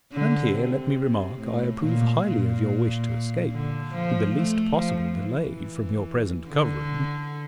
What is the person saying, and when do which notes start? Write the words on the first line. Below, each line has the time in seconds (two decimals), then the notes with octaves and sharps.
And here, let me remark, I approve highly of your wish to escape, with the least possible delay, from your present covering.
0.12 D3
0.54 C3
1.39 A2
1.81 A#2
2.24 A#2
3.52 D3
3.94 F3
4.36 A3
4.79 F3
5.21 E3
6.49 D3